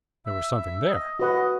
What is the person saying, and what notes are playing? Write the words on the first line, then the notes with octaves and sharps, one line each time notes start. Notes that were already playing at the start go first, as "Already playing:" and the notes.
There was something there.
E5
E5
D#5
F#4 B4 D#5 F#5